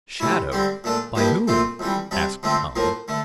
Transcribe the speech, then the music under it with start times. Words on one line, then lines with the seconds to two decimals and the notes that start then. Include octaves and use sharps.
"Shadowed; by whom?" asked Tom.
0.20 C3 E3 A3 E4
0.52 D3 G3 C4
0.84 A#2 A3 D4
1.15 G2 F3 A#3 E4 G4
1.48 A#2 A3 C4 F4
1.79 F2 E3 G3
2.11 C3 G3 D4
2.43 F2 D3 A3 C4
2.76 A2 F3 A#3
3.08 D3 A3